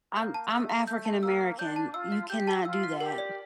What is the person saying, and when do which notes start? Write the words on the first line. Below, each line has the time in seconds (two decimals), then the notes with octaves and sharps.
I'm I'm African American, you cannot do that.
0.16 A#3 G6
0.34 A5
0.52 A3 E6
0.69 F5
0.87 A3 G6
1.05 A5
1.23 A#3 E6
1.41 F5
1.59 D4 G6
1.76 A5
1.94 F4 E6
2.12 F5
2.30 G4 G6
2.47 A5
2.65 F4 E6
2.84 F5
3.01 G4 A#4
3.18 D5